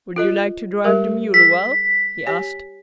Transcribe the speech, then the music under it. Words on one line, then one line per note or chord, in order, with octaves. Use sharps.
"Would you like to drive the mule awhile?" he asked.
F4 A4 D#5
G3 G4 A#4
G#4 B6
G4 C#5 G#5